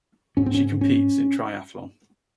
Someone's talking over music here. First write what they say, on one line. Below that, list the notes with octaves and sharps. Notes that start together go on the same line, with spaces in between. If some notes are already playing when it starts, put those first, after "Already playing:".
She competes in triathlon.
G#2 C#4
C4
C#4
C#4